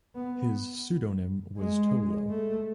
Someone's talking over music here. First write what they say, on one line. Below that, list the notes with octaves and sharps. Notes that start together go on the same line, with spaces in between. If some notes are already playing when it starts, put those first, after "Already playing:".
His pseudonym was "Tolo".
B3
G#3
A3